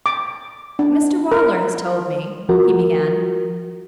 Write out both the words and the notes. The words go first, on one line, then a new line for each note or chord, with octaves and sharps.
'Mr Waller has told me--' he began.
D6
D4
A#4
F3 F#4 A#4